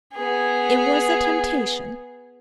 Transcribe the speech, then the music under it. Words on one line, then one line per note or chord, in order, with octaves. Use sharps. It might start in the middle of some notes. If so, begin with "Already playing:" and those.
It was a temptation.
B3 G#4